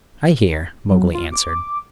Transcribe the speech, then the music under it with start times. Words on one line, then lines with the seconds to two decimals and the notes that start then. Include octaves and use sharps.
"I hear," Mowgli answered.
0.90 F#3
1.14 F4
1.32 D6